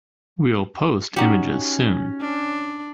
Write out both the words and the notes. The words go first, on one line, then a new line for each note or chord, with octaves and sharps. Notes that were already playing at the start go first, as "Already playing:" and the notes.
We'll post images soon.
C#4 D#4 F#4 G4
D4